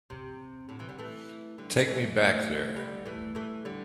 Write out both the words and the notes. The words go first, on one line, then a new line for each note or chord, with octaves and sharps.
Take me back there.
C3
A2 D3
C3 E3
D3 G3
E3 A3
D3 G3
E3 A3
E3 A3
D3 G3
E3 A3
E3 A3
D3 G3